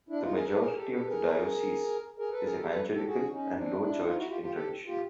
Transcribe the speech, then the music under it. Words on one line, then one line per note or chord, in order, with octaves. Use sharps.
The majority of the diocese is evangelical and low church in tradition.
D4 E4
D#4 F4
G#4 A#4
A4 B4
G#4 A#4
G4 A4
G4 A4
B4
G#4 A#4
G#4 A#4
A4 B4
G#4 A#4
G4 A4
A4 B4
G4 A4
F#4 G#4
C#4 D#4
C4 D4
D4 E4
D#4 F4
E4 F#4
F4 G4
F4 G4
G4 A4
F4 G4